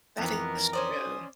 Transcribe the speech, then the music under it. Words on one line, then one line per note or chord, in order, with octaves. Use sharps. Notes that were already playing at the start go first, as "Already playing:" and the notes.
That is true.
F2 E3 B3 A#4
C#4 C5 D5 D#6